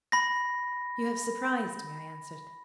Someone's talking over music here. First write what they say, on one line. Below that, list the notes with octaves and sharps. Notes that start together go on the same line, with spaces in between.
"You have surprised me," I answered.
B5 A#6